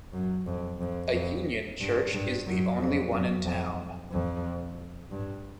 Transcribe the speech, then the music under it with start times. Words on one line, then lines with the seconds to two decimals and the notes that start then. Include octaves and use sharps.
A union church is the only one in town.
0.13 F#2
0.46 F2
0.81 F2
1.14 F2
1.80 G2
2.13 G2
2.47 F#2
2.79 F2
3.12 F#2
3.45 F2
4.11 F2
5.11 G2